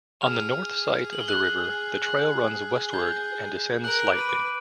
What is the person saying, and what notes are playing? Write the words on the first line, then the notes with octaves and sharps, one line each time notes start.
On the north site of the river the trail turns westward and descends slightly.
G#4 F6 F7
F#7
G7
F#6 F#7
G#4 F#6 F#7
G6 G7
A#4 F#6 F#7
D6 D7
B4
D#7
D6 D7